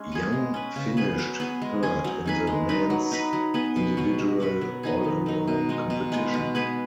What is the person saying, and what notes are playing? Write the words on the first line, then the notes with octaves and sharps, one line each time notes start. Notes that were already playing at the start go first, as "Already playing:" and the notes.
Yang finished third in the men's individual all-around competition.
Already playing: G#3 C#4
B3 G#4
G#3
C#4 B4
C#3
B3 G#4 B4
F#3
B3 G#4
G#3
C#4 G#4
F#3
D#4 G#4 B4
G#3
D#4 B4
F#3
D#4 B4
F#3
B3 G#4 B4
B2
F#3 B3 F#4
G#3
B3 F#4 B4
F#3
B3 D#4 G#4
D#3
F#3 D#4
B2
G#3 D#4
B2
G#3 B3
B2
B3 G#4 B4